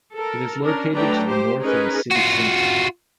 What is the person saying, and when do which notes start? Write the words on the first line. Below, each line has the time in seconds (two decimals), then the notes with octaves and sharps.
It is located to the north of the city centre.
0.15 A4 A#4
0.63 C#4 D4 A#4
0.93 F#3 A3 D4 B4 G5 A#5
1.26 G4 C5
1.60 C#4 D#4 G#4 A#4 B4
2.11 F4 F#4